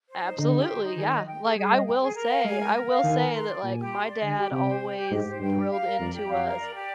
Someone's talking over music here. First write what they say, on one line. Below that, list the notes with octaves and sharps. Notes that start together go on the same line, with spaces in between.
Absolutely, yeah, like, I will say I will say that, like, my dad always drilled into us,
C5
D#4
D3 D#4
G4
C5
D#4
D#3 G#4
D#5
G5
G#4
G3 G#4
D#5
G5
G#4
A#4
F5
G#3 G#5
A#4
A#4
F5
D#3 G#5
A#4
C6
D5
A#2 G#5
G4
C6
D5
D3 G#5
G4
C3 G4
C5
G5
G4
G#2 G4
C5
G2 G5
G4
F5
A#4
F2 D5
G4
F2 F5
A#4
D5
G4